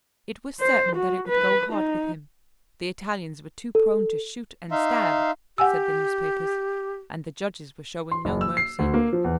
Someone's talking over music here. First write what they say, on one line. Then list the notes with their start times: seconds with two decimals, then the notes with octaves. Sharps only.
It was certain that it would go hard with him. The Italians were too prone to shoot and stab, said the newspapers, and the judges were showing no mercy.
0.60 C5
0.96 F#4
1.28 B4
1.73 D#4
3.75 A4
4.71 D#4 E5 F5 C6
5.58 G4 F#5 G#5 E6
8.12 C6
8.25 F#1
8.41 E6
8.57 C7
8.79 D2
8.94 A#3
9.13 F3
9.24 E2